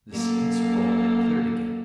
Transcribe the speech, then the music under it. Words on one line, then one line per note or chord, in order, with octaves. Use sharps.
The scene swirled and cleared again.
F#2 A#3 A4